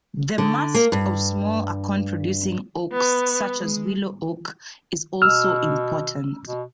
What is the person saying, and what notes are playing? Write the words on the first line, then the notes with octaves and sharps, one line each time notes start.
The mast of small-acorn producing oaks, such as willow oak, is also important.
D3
A#3
G2
B3
G#3
B2 E6 F6
B2